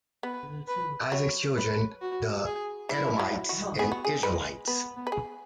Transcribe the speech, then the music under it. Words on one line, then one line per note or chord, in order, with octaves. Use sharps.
Isaac's children the Edomites and Israelites.
B3 B4
B4
F#3 C#5
B4
F#4
G#4
E3 E4
F#3
F#4
B3 G#4
F#4
G#4
G#3 B4
B3 B4
B3
B4
G#4